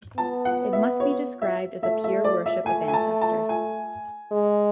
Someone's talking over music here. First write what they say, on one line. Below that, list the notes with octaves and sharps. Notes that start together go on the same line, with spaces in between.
It must be described as a pure worship of ancestors.
B3 A5
F#5
E5
C#5
E5
A3 E5
E5
D5
E5
A3 G#5
G#5
A5
A5
G#5
G#3